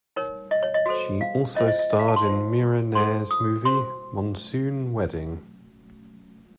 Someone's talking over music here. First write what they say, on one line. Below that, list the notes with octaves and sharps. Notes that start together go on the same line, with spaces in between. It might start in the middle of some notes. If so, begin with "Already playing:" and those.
She also starred in Mira Nair's movie "Monsoon Wedding".
D#4 A#4 C#5
D#5
C#5
D#5
F#4 A4 C5
F5
C#4 F4 C5 D#5
D#5
D#5
D#5
F5
A5
C6
F4 C5
D#4 A4 C5 C6
D#6
F#4 C5 C6